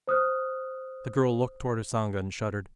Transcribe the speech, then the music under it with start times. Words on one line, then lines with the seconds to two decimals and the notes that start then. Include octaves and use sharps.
The girl looked toward Usanga and shuddered.
0.07 C5 D#6 F6 F#6